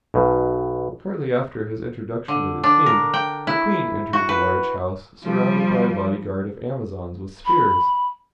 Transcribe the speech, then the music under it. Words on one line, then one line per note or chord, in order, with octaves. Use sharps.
Shortly after his introduction to the King, the Queen entered the large house, surrounded by a body-guard of Amazons with spears.
B1 B2
D3
D4
A#4
G5
E4
F#4
B4
F3 G3
B5